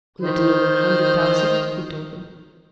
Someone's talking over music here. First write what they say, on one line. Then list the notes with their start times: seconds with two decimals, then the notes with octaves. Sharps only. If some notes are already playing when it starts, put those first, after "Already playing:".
"A little over a hundred thousand," he told her.
0.20 D#3 C5